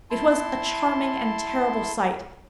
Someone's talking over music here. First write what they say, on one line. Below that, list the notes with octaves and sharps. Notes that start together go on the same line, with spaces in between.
It was a charming and terrible sight.
E4 A5 C6